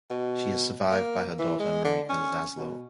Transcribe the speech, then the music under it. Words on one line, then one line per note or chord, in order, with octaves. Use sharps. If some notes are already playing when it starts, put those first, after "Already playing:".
She is survived by her daughter, Marika Zaslow.
B2
A#3
E3
G#3
D3
C#4
B2